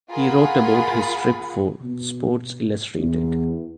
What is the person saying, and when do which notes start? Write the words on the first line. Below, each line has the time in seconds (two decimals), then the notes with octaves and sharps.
He wrote about his trip for "Sports Illustrated".
0.10 F4 G#4 A#4 F#5 B5
1.84 B2
2.97 E2